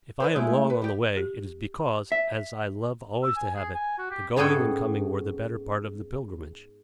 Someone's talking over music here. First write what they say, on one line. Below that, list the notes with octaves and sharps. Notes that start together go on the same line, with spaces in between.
If I am long on the way, it is because, as I love always to have it, the going and coming were the better part of the pilgrimage.
D4 B4 C5
G#3 A3 E4
B4
G3 G4
G4
E5
E6
G#5
G#4
G#5
F#4
G4
G#2 B3 C#4 G#4 A4 G5